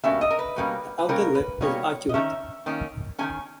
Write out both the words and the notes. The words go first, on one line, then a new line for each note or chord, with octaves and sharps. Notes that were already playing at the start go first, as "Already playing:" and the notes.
The outer lip is arcuate.
B2 G3 A#3 C#4 E5
D#5
A#4
B4
B2 G3 A#3 C#4
B4
B2 G3 A#3 C#4 A#4
B4
B2 G3 A#3 C#4 C#5
D#5
D#3 A#3 C#4 E5
D#3 A#3 C#4
D#3 A#3 C#4 G#5